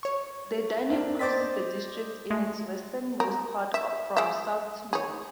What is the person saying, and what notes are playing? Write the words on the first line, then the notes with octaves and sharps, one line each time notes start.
The Danube crosses the district in its westernmost part from south to north.
C#5 C#6
A#3 C4 D4
C5 D5 D#5 D6 A6 B6
G#3 A3
A#4
E5
G#3 E5
G#4 C#5